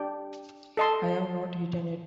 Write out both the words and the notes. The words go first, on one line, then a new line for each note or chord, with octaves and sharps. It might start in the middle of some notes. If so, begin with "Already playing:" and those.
I have not eaten yet.
Already playing: D4 G4 D5 G5
A4 D#5 A5 C6